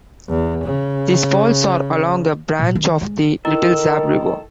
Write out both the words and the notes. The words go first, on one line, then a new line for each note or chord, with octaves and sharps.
These falls are along a branch of the Little Zab River.
E2
C#3
A#2
D#3
G#3
D#3 E4 A4 A#4